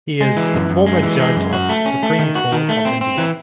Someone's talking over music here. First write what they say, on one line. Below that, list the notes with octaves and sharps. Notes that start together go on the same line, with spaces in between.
He is former Judge of Supreme Court of India.
G#3
E3
F#2
F#2
G#3
E3
G#3
F#2
F#4
A3
C#4
A3
D#3
F#4
D#3
A3
C4
C4
E3